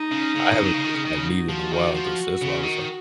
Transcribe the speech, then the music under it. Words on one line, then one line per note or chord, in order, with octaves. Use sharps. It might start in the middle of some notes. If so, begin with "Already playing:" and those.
I haven't been, like, neither in a while, though, so that's why I was, like,
Already playing: D#4
C#3
C#3
D#3
C#3
D#3
C#3
D#3
C#3
D#3
C#3
F#4
F3
D#3
F3
C#3
D#3